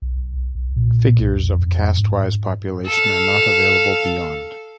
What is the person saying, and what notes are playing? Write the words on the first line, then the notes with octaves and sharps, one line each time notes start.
Figures of caste-wise population are not available beyond.
B1
B1
A#2
B1
F2
F2
G#2
A4 F5